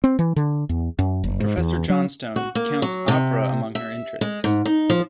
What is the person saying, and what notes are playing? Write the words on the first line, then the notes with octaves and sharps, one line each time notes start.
Professor Johnstone counts Opera amongst her interests.
C4
E3
D3
E2
F#2
F#1
G#2
E2
F#3
F#4
A#3
F#3
C3
E5
G#3
G#2
D#4
F3